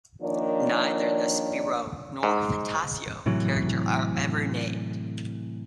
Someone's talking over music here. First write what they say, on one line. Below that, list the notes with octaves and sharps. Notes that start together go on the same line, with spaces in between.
Neither the "Spirou", nor the "Fantasio" character are ever named.
D#3 F3 A#3 D4 C#5 D5
G#2
A2 C3 E3 F#3